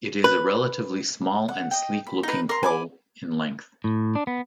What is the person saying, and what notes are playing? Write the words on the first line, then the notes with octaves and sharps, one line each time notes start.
It is a relatively small and sleek looking crow, in length.
B4
F#5
D#5 G5
B5
D#4 B4
A#4 C6
G#5 B5 D6
A2
D4
B3